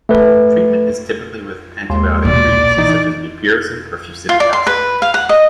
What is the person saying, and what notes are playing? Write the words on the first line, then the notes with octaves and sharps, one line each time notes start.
Treatment is typically with antibiotic creams such as mupirocin or fusidic acid.
A3 B4
D#2 G#3 C6
B1 A#2 D5
E3 D#4
F4
D5
C6
B4
F5
F#5
D#5